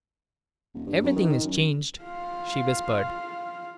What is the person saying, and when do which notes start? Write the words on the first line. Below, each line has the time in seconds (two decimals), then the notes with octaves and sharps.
"Everything is changed," she whispered.
0.74 D#1
0.86 G2
1.03 F#2
1.16 D#3
1.29 D#3
1.44 F#2
2.02 F4 F5